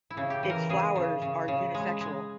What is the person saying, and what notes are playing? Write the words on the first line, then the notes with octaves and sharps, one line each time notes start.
Its flowers are unisexual.
E4
C#3
G4
E3
A#4
C#3 G#4
C#3
C#3
C#3
G#3
G#3